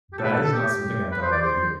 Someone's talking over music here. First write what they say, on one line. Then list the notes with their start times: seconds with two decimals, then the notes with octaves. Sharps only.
That is not something I thought I would hear.
0.13 G4
0.18 A4
0.23 B4
0.32 A4
0.43 A4
0.52 G4
0.67 G4
1.12 B4
1.22 C5
1.31 D5
1.41 C5